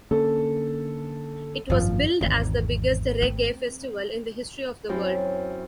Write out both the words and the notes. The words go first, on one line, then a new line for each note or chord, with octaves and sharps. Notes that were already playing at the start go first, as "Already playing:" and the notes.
It was billed as the "biggest Reggae festival in the history of the world".
D3 A#3 C#4 A4
G#1 F#2 F3
G#1 E2 C4
C4
F#2 C4 E4